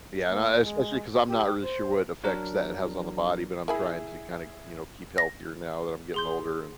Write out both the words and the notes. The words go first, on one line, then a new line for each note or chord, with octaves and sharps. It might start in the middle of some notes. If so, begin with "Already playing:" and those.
Yeah, and I, especially 'cause I'm not really sure what effects that has on the body, but I'm trying to kind of, you know, keep healthier now that I'm getting older, and
A#3
G#3
G4
C5
F#3 D4 A#4
E4 G#4 A#4 G#5 B5
A#6
G#4 C6 G6